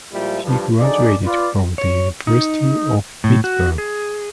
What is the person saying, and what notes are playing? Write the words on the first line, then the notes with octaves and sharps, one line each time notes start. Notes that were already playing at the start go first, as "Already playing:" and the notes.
He graduated from the University of Pittsburgh.
A#2 F3 G3 G#3 E4
G2 F3
D3 F#3 D#4 G#4 D5
F4 B4 D5
C#5
D#4
A2
F#4
G#4